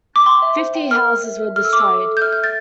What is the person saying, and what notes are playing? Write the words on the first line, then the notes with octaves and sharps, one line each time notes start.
Fifty houses were destroyed.
D6
G5 C6
E5
C5
G5
A#4 F6
A#4
E5
E5
A4 F6
E6
E5 D6
E6
A4
A4
G6
E5 F6
G6
E5
A6